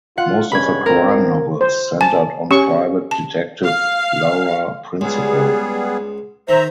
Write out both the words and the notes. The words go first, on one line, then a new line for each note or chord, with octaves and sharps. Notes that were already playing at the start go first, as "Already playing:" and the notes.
Most of her crime novels centred on private detective Laura Principal.
F4 F#5
G2 G#3 C#4 B5 G#6
D2 A2 C4 A#4
C5
G#5 A5
C#4 G4 C#6
A5
F5
C#2 G3 B3 G#4
D#3 C5 E5 A#5